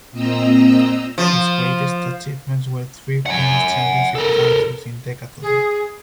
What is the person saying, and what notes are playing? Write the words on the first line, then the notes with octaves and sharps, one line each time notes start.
His greatest achievements were three Finnish Championship titles in decathlon.
A#2 C4 D#5 A#5 E6
F3
F#5 G#5
A4 A#4
G#4